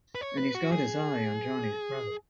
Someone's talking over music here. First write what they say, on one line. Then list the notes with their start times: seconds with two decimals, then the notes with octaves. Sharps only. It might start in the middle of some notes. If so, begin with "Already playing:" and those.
And he's got his eye on Johnny's brother.
0.15 B4
0.21 C#5
0.37 B4
0.55 F#4
0.72 G#4